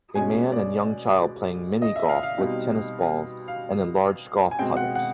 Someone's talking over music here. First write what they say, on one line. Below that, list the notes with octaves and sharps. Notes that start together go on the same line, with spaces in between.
A man and young child playing mini golf with tennis balls and enlarged golf putters.
B2 G#3 C#4 G#5
D5
D#5
E5
F5
F5
B2 G3 C4 D#4
F5
G#5
B2 G#3 C4 G5
F#5
F#5